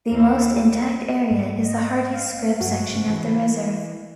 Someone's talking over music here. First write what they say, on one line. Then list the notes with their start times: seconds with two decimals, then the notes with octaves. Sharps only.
The most intact area is the Hardy's Scrub section of the reserve.
0.10 D#2 E4
1.31 G#2
1.63 D#5
2.12 F5
2.61 G2 F#3 F#4
2.90 G#2 C#3
3.09 E3